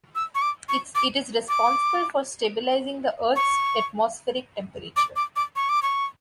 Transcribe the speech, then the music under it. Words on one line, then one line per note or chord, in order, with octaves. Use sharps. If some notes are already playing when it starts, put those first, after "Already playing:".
It is responsible for stabilizing the Earth's atmospheric temperature.
E6
C#6
D6
C#6
D6
D6
C#6
D6
D6
D6
C#6
D6
C#6